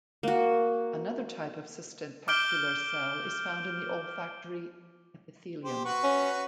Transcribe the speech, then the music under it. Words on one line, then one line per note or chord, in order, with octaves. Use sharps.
Another type of sustentacular cell is found in the olfactory epithelium.
A#3 F#4
D6 F6 G6 D7 G7
G4 C5
F#4 B4 C#6
C#4